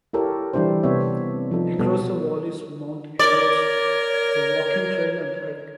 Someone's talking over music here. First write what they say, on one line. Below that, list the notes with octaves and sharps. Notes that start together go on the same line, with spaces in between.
Across the wall is Mount Edwards - a walking trail and hike.
E4 G4 A4 A#4 C#5
E3 G3 D4 E4 G4 C5
C3 B3 C4 D4 C#5 E5
F3 D#4 A4
B2 G3 B3 A4
A#4 C#5 D5